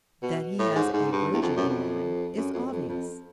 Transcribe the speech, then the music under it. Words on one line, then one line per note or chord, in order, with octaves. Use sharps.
That he has a virgin in mind is obvious.
B2
A2
G#2
G#2
G2
E2
F2
F#2
F2
F#2
F2
F#2
F2
F2